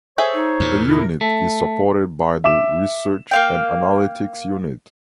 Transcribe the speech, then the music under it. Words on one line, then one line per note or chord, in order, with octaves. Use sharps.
The Unit is supported by the Research and Analytics Unit.
G#4 A4 C5 C#5 E5
D#4
E2 A#2
C3 E4 A#4
A3
E5 D6 E7
A#3 F5 G5